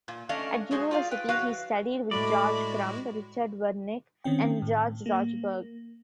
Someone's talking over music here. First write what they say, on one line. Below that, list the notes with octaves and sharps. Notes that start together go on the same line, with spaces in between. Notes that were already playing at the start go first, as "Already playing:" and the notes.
At university, he studied with George Crumb, Richard Wernick, and George Rochberg.
A#2
A3 C#4 D4 D5 D#5 F5
G#3 F#4 G#4 C5
F4 D5 F5
B4 G5
F#3 F#4 B4 F5
A2 G#3 A3 F#4 D5 B5
D#3 C4 C#4 G5
A2
A#3